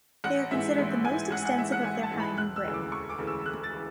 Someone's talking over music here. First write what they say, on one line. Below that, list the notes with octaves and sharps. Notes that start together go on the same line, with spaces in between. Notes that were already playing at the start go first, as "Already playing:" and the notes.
They are considered the most extensive of their kind in Britain.
A1 F#5
G#2 E3 E5
A1
G#2 E3 G#5
A1 F#5
F#5
G#2 E3 E5
F#5
A1 G#5
A5
G#2 E3
B5
E1 F#6
E6
D2 C#3 E3
D6
E1 C#6
D6
D2 C#3 E3
E6
E1 F#6
A6
C#3 E3